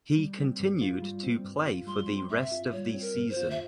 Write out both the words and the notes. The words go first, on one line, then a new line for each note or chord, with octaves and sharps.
He continued to play for the rest of the season.
G3
C4
G2
F4
G3
C4
G2
F4
G3 C6
C4
G2 E5
F4
G3 C#5
C4
A#4
G2
C5
F4
E5